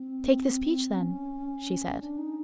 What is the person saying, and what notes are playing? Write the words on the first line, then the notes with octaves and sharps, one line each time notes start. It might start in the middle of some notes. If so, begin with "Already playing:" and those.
"Take this peach, then," she said.
Already playing: C4
C#4
D4
D#4